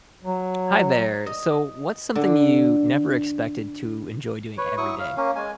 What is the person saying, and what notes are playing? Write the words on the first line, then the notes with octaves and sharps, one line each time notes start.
Hi there, so, what's something you never expected to enjoy doing every day?
F#3
D#5
D3
B4 C#5
F#3 E4 C#6 D#6
F5
A#3 C#4
G#3 G#5